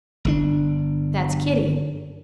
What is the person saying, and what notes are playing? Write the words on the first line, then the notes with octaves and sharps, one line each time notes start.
"That's Kitty."
G1 D3 D4